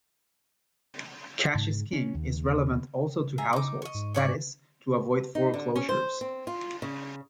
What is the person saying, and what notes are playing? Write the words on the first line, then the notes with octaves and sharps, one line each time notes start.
"Cash is king" is relevant also to households, that is, to avoid foreclosures.
G#2
C#4
D#2
G#4 E5 A#5
D#4 D6
D#5 C#6
G#2
C#5 D5 C#6
D#4
D3
C#4
C5
C4
F4
C#3